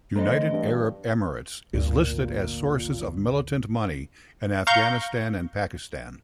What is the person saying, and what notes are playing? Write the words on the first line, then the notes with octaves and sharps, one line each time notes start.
United Arab Emirates is listed as sources of militant money in Afghanistan and Pakistan.
E3 A3 C4 A4 C5 D#5 A#5
G2 D4
G#1 D2 A#2
F5 A#5 C#6 G6